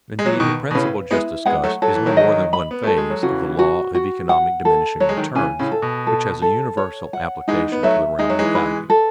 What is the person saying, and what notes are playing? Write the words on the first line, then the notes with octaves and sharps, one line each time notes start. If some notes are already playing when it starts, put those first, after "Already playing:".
Indeed, the principle just discussed is no more than one phase of the law of economic diminishing returns, which has a universal application to the realm of values.
G#3
F#3
E3
B2 D#3 B4
B2
A2 C#3 B4
G#3 B3 E4
G#3 B3 F#5
F#3 A3
F#3 A4
E3
D#3 F#3
D#5
B5
B3
A3 A4
G#3
F#3
C#3 E3 F#4
F#4
F#4
F#5
A4
F#3 C#5
G#3
D#3 F#3
C#3 E3 G#5
A2 C#3
A4
B2
A4
A4
C#5
F#5
E3 G#3 D#4
B3
F#3 A3 E5
G#3 D#4
F#3
E3 G#3
B4
A4